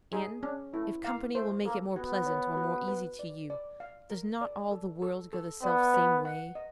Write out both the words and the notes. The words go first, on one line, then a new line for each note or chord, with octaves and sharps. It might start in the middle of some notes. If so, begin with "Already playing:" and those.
And, if company will make it more pleasant or more easy to you, does not all the world go the self-same way?
D#4 G#4
C#4 D4
A3 E4
A#3 F5
A3 C5
A#3 A4
B3 F#4
C#5
F#4
B4
D5
D5
F5
A#4
D5
A4
A4
A4
B3 D5
B4
F#5
D#5